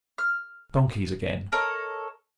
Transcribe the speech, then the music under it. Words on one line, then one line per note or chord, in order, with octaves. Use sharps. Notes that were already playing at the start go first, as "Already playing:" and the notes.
Donkeys again.
F6
A4 A#4 C#5 D#5